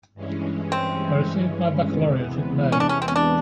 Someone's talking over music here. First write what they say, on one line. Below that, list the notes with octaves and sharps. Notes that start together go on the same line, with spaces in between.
I received my baccalaureate in May.
G2 E3 G#3 C#4
C4
E2 C3 E3 G#3 B3
C#4
D4
C#4
C4
C#4
D4